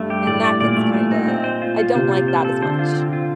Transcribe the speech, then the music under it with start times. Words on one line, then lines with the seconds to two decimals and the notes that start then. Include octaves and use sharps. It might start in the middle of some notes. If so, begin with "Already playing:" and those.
and that gets kinda I don't like that as much.
Already playing: G2 A3
0.10 G4
0.27 A2 D5
0.44 D5
0.60 A#2 D5
0.77 A3
0.95 A3
1.12 D#4
1.28 C4
1.44 C5
1.62 F4
1.78 F4
1.95 C3 C5
2.11 F4
2.28 C5
2.45 A4
2.62 D3 C5
2.79 F4
2.96 C4
3.13 F4